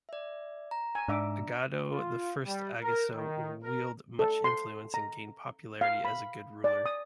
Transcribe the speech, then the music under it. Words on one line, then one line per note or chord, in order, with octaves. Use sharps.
Igodo, the first Ogiso, wielded much influence and gained popularity as a good ruler.
D5 E5
A#5
G#5
G#2 D4 E5 D6
F4
G3
A#4
D#3
A#4
A4
C6
A#5
F5
B5
D5
D#6